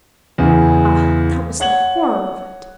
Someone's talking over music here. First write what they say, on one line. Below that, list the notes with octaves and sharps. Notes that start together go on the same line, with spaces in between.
Ah, that was the horror of it!
E2 C#3
C#5 F#5 G#6 F#7